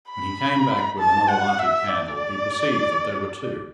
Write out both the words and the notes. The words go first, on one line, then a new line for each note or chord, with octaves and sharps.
When he came back with another lighted candle, he perceived that there were two.
B5
A5
F#5
E5
D5